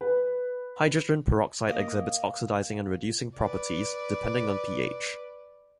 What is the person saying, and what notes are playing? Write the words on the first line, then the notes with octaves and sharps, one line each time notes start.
Hydrogen peroxide exhibits oxidizing and reducing properties, depending on pH.
B4
A#3 D#5
B4 D5